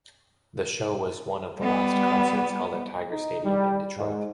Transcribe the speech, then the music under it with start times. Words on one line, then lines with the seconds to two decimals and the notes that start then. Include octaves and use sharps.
The show was one of the last concerts held at Tiger Stadium in Detroit.
1.58 G3 B3
3.10 D#4
3.44 G3
3.96 G#2